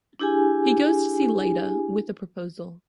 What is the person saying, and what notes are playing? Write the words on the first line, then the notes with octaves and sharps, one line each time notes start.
He goes to see Lyta with a proposal.
D4 E4 G4 G#4 G#5